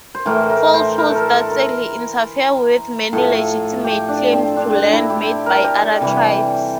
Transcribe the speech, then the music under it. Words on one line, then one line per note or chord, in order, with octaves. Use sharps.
Falsehoods that sadly interfere with many legitimate claims to land made by other tribes.
C5
A2 E3 A3 A#4
A#4
C5
A#4
A4
A#4
A4
A#4
A2 F3 A3 A4
G4
D4
C4
D4
D4
E4
G4
A#4
G4
A4
C3 E3 G3